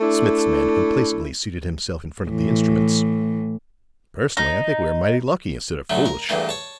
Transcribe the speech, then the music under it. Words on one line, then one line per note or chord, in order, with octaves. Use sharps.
Smith's man complacently seated himself in front of the instruments. "Personally, I think we are mighty lucky, instead of foolish."
A3 D4 E4
A2 E3
D#4
D2 F#3 A3
A#4
E2 G2 A#2 A3
C#5 A5